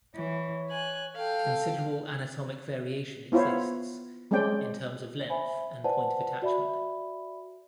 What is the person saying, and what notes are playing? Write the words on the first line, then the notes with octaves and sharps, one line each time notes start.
Considerable anatomic variation exists, in terms of length and point of attachment.
E3 C#5
G#5 F#6
A4 F5 G5
B3 E4 F4 C5 C#5
G3 G#3 C4 C#4 D5 G5
C5 E5 G#5 B5
B4 C5 D5 F#5 G#5 A5
F#4 D5 E5 B5